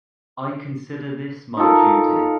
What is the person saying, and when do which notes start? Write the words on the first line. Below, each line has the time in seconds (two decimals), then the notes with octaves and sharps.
I consider this my duty.
1.57 D#4 F4 A4 A#4